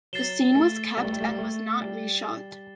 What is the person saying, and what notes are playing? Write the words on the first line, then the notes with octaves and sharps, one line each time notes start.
The scene was kept and was not reshot.
F#3 A6 C7 E7 G7
A3
G3
A3
G3
A3
G3
A3
G3